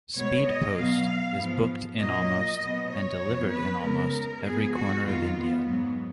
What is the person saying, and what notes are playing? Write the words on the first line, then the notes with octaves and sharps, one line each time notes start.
Speed Post is booked in almost and delivered in almost every corner of India.
B2 G#3 B3 C#5
D#5
B2 F#3 B3 F5
G#2 F3 B3
A#2 F#3 A#3 D#5
B2 F#3 B3
C#5
F2 F3 B3
B4
C#3 G#3 B3 A#4
G#2 F3 G#3 B3 G#4
F#4
F2 D#3 G#3 B3 F4
B3
G#2 F#3 B3